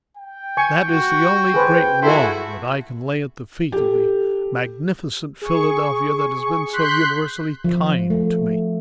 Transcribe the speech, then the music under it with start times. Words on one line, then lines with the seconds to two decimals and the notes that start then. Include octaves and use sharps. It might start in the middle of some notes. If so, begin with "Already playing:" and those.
That is the only great wrong that I can lay at the feet of the magnificent Philadelphia that has been so universally kind to me.
0.17 G5
0.57 G#5 C#6
0.90 F#4
1.54 G#4 B4 C5
2.03 E4 F#4 G#4 A4 C6
3.72 G4 A4
5.42 G#4 C#6
6.73 C6 F#6 G6 B6
7.64 F3
8.10 A3